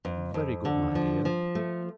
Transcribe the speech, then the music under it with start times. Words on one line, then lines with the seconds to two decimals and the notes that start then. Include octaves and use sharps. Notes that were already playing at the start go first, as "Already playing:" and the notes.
'Very good, my dear.
0.05 F2
0.34 F2
0.65 D3
0.95 F3
1.25 F3
1.55 A3